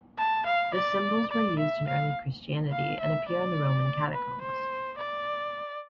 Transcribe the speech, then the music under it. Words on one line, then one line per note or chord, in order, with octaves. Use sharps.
The symbols were used in early Christianity and appear in the Roman catacombs.
A5
F5
D5
D5
E5
F5
F5
E5
D5
B4
C5
D5